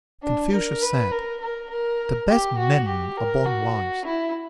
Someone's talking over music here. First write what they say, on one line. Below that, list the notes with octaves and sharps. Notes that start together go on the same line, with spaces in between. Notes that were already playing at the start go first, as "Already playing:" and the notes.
Confucius said, The best men are born wise.
D4
A#4
B4
A#4
A#4
A#4
G4
F#4
G4
A#4
F#4
E4